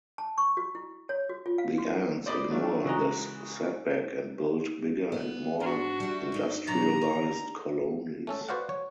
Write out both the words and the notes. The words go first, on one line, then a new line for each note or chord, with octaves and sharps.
The ants ignore this setback and build bigger and more industrialized colonies.
A5
C#6
F#4
E4
C#5
F#4
F4
F5
F#4
C5 D5 D#5 B5 D6 D#6
F#3 A3 D4 F4
C#3 E3 G#3 F#4 D#5 A#5
B3
G#2 D4 F#4
G3 E5
G2 D#4
B2 F#3 D4 A#5
D2
A3 C#4 A4
F#4 B4 C5 D5 F5 F#5
C#5